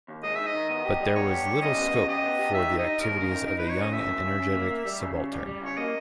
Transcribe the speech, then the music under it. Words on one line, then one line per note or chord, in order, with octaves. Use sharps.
But there was little scope for the activities of a young and energetic subaltern.
D#2
G#3 D#5
D#4 E5
D#5
D#3
B3 D#5
G4
G3
B3 C#5
G4
G3
C#3 D#5
B3
C#3
G4 D#5
B3
G4
D#4 E5
D#4
D#5
D#4
D#2 A#4
C#3
D#4
D#4 A#4
D#4 B4
C#5
C#3 D#5
D#2 E5
C#3
C#3
C#3
A#3
A#3
G3
C#3
C#3
G3
G3
C#3 C#5
A#3 D#5